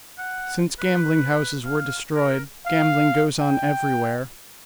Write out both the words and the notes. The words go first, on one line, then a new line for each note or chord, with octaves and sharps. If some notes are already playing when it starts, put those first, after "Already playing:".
Since gambling houses were destroyed gambling goes on everywhere.
F#5
B4
F5
A#4
F5
G5